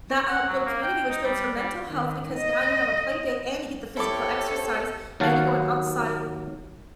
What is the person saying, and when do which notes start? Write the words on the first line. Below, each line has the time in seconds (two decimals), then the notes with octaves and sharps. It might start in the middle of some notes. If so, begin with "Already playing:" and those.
That help build community, which builds your mental health because now you have a playdate, and you get the physical exercise, and you're going outside
0.10 C#5
0.28 F#5
0.48 F#3
0.66 A#3
0.83 G5
1.10 D#4
1.24 G3
1.57 G3
1.88 D#3
2.34 D#5
3.97 E4 G4 A4 C5 C#5 D6
5.20 D#2 F#3 F#4 F5 A5